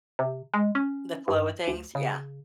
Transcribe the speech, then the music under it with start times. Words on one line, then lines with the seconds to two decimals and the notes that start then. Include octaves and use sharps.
The flow of things, yeah.
0.19 C3
0.54 G#3
0.75 C#4
1.28 G2
1.68 D2
1.95 C#3